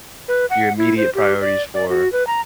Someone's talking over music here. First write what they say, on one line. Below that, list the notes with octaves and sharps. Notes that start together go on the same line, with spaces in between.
Your immediate priorities for,
B4
F#5
E4
C5
G4
D5
D5
F#4
B4
A#5